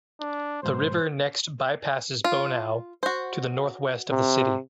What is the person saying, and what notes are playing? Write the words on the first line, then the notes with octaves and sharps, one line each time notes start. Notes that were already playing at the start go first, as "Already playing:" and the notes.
The river next bypasses Bonao to the northwest of the city.
D4
B1 G#2 C5
F4
F#4 C5
C3